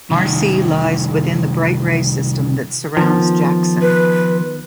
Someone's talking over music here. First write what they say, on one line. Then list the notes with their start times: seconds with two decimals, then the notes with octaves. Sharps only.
Marci lies within the bright ray system that surrounds Jackson.
0.11 C2 D#3
2.97 D#3 F3 B3
3.82 B4